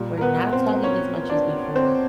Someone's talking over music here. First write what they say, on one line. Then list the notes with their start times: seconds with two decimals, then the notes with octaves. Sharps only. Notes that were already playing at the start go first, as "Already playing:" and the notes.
we're not talking as much as before,
Already playing: A#2 G3
0.18 A#4
0.21 B3 B4
0.53 C4 C5
0.83 C#4 C#5
1.30 D4 D5
1.76 C4 C5